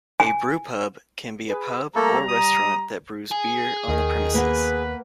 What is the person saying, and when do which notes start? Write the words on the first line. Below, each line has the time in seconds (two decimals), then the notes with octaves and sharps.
A brewpub can be a pub or restaurant that brews beer on the premises.
0.20 G#5
1.48 G#4 B4
1.96 G3 A3 A#3 A4 A#5
2.28 D#6
3.31 G#4
3.88 D#2 D#3
4.34 A#3 B3 B4 F#5